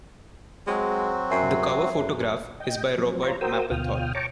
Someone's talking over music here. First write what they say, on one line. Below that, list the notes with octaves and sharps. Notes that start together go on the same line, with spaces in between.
The cover photograph is by Robert Mapplethorpe.
F#3 G#3 C4 F#4
F#2 E5 G#5 C7
F#2
D#5 G5
F3 F#3 C4
F4 C5 C#5 A#5
F#4 A#4 C5 G5 D#6 E6
D2 B2 F4 G5 D#6 F6
C#5 G5 A5 A#5 C#6 D6